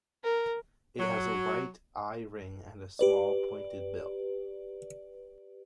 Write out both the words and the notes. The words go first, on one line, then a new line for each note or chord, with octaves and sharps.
It has a white eyering and a small, pointed bill.
A#4
F#3
G4 B4 D5